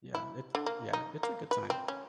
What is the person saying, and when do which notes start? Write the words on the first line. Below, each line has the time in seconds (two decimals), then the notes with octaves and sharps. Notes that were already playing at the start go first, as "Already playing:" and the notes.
yeah, it yeah, it's a good time.
0.15 E4
0.55 D3
0.66 A#3
0.93 D#4
1.23 A#3
1.51 B4
1.70 C4
1.88 C#4